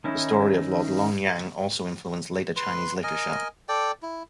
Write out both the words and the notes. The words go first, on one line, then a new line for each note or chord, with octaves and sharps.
The story of Lord Lonyang also influenced later Chinese literature.
D#3 C#4 D#4 E4
B4 C6
A#4 D#5 G#5
A4 D5 G5
E4